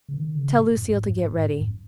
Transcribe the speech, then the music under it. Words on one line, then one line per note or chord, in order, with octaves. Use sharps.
Tell Lucile to get ready.
C#3
D#3
C#3
A#2
F#2
G#2
F#2
G#2
G#2
F#2